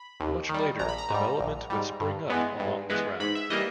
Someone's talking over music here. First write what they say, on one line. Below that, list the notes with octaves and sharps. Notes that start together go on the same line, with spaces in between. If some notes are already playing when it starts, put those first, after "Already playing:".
Much later, development would spring up along this route.
Already playing: B5
D#2
D#3 G3
A#1 A#5
B5
A#5
G#2 G3
A#1
G#2 G3
G2
E3 G#3 B3
G2
E3 G#3 B3
G#2 B5
E5
E3 G3 A#3 D#5